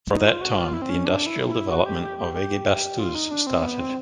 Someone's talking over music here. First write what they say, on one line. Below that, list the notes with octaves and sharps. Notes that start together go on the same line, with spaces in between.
From that time the industrial development of Ekibastuz started.
D#4
F4
F#4
F4
E4
C4
C#4
D4
E4
E4
F#4
G4
G4
G4
G4
F4
D#4
D4
C4
B3
C4